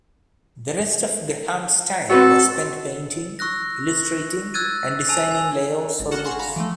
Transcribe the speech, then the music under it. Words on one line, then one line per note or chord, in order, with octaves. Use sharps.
The rest of Graham's time was spent painting, illustrating and designing layouts for books.
C4 F#4 A4 B4 C#5
C#6 E6 F#6 A#6
E6 F#6 G#6 A6 D#7
G#5 A5 E6 D#7 F7
G#5 E6
G#1
F#4 A4 F#5 C#6 F6 F#6
F#5 G#5 C6 C#6 A#6
F5 A#5 B5
E3 F3 A3